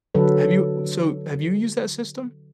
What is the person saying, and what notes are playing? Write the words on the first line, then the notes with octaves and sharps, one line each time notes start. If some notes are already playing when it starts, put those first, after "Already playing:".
have you so, have you used that system?
D3 F#3 A4 B4